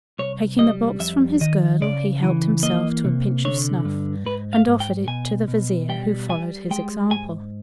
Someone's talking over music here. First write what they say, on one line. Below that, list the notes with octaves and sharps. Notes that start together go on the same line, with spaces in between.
Taking the box from his girdle, he helped himself to a pinch of snuff and offered it to the Vizier, who followed his example.
C2 C#5
G3 D#5
F2 E5
D#3 D#5
C#3 D5
E3
A#3 D#5
C3
D3 C#5
G2
G#2 B4
F5
G#2
G5
B2 G#5
B2
G3 G5
G3 G#5
G#3 G5
G#2 G#5